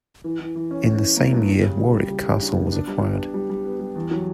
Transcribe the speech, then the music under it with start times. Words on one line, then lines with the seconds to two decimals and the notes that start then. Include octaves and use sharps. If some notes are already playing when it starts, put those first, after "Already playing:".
In the same year Warwick Castle was acquired.
0.24 E3
0.40 E3
0.55 E3
0.71 C#4
0.87 C#4
1.02 E3
1.17 A#3
1.32 G2
1.48 G3
1.63 C#3
1.79 G3
1.94 G3
2.10 G3
2.26 C#3
2.41 D4
2.57 B3
2.72 D4
2.87 G3
3.03 B3
3.18 D4
3.34 G3
3.50 G3
3.64 B3
3.80 G3
3.95 E2
4.11 F#3